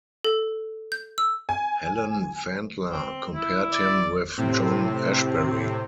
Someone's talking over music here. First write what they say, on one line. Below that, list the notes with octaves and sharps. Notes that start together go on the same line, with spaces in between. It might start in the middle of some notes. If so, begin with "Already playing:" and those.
Helen Vendler compared him with John Ashbery.
A4
G6
E6
G#5
C4
E4
D5
A2 C3 C4